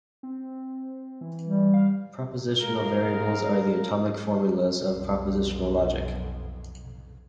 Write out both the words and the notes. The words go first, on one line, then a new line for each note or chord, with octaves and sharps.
Propositional variables are the atomic formulas of propositional logic.
C4
E3
G3
F5
G#3 A#4 F5
B1 F2